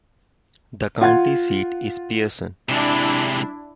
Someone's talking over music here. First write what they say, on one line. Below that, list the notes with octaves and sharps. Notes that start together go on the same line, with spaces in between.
The county seat is Pearson.
F4 F#5 G#6
C3 G#3 D4 E4